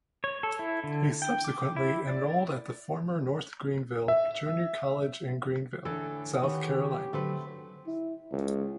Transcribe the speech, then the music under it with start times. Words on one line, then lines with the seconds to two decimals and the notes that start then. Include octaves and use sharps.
He subsequently enrolled at the former North Greenville Junior College in Greenville, South Carolina.
0.24 C#5
0.43 A4
0.59 E4
0.84 D3
1.22 G5
1.45 D6
1.76 E4
2.07 D5
4.08 E5
5.85 A2 D3 E3 A4
6.43 D#3 B3 G4 C#5
7.13 D3 F#3 A3 C4 B4
7.87 E4
8.32 C#2